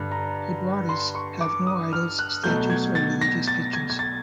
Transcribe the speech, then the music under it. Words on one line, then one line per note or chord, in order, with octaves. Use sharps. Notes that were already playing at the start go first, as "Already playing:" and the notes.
Gurdwaras have no idols, statues, or religious pictures.
Already playing: G2 D3
A#5
C6
C#6
D6
D#6
F6
F#6
B2 F#3 A3 G6
G#6
A6
A#6
A6
G#6
G#6
A6